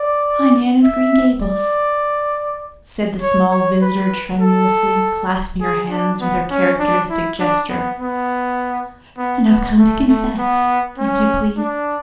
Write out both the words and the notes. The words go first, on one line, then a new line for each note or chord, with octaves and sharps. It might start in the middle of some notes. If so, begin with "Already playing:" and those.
"I'm Anne of Green Gables," said the small visitor tremulously, clasping her hands with her characteristic gesture, "and I've come to confess, if you please."
Already playing: D5
E5
D5
C#5
C#5
B4
A4
G#4
D4
B3
C#4
D4
E4
D4
B3
B3
B3
B3
A3
A3
B3
C#4
D4